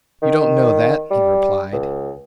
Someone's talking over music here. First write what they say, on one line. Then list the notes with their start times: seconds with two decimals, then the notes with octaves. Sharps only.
"You don't know that," he replied.
0.23 D#3
1.11 G3
1.73 C#2